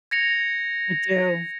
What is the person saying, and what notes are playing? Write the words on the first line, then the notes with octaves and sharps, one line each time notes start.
I do.
G#6 A#6 C#7 F7